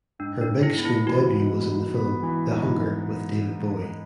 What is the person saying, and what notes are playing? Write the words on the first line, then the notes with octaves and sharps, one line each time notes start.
Her big screen debut was in the film "The Hunger" with David Bowie.
G#2 D4
D4
G#2
E4
B3
E4
E3 F#4
G#2
G#2
B3
E3
G#2